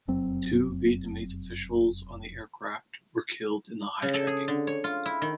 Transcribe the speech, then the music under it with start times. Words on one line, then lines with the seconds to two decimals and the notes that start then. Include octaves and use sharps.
Two Vietnamese officials on the aircraft were killed in the hijacking.
0.08 F1 F#2 F#3 C4
4.02 C#3
4.14 A4
4.27 G#4
4.48 D3
4.67 C#5
4.84 F4
5.06 E4
5.22 D#3